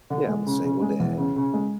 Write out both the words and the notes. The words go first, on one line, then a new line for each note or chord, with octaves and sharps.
yeah, I'm a single dad.
D3
G#3
C#3
C#3
G#3
E2
C#3
C#3
G#3